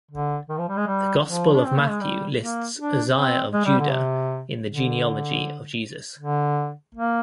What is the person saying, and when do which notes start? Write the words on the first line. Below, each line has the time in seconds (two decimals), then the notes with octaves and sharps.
The Gospel of Matthew lists Uzziah of Judah in the genealogy of Jesus.
0.11 D3
0.49 D#3
0.58 F3
0.69 G3
0.77 G#3
0.87 G3
1.26 F3
1.54 D4
1.66 C4
1.77 A#3
1.89 G#3
2.00 G3
2.39 A#3
2.76 D4
3.15 C4
3.53 G#3
3.65 G3
3.79 D3
3.91 C3
4.67 D3
6.19 D3
6.95 A#3